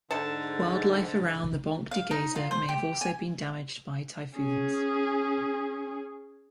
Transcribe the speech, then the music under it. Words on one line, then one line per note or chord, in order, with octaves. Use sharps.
Wildlife around the Banc du Geyser may also have been damaged by typhoons.
G#2 D3 G#3 A4 A5 A6
F5
D#4
F4
C5
G4
G#5
C#4 G#4